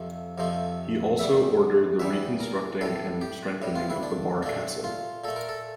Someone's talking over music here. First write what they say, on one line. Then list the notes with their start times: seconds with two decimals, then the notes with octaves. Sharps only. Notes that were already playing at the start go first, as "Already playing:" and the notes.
He also ordered the reconstructing and strengthening of the Bar castle.
Already playing: F2 C3 F3 A3
0.38 F2 C3 F3 A3
1.19 E2 E3 G3 E5
2.00 E2 E3 G3 E5
2.40 A#4
2.81 A2 G3 A4
3.21 G4
3.62 A2 G3
3.76 F4
3.90 E4
4.03 D4
4.43 A#2 A3 D4
4.84 F4
5.24 A#2 A3 A4
5.36 A#4
5.49 A4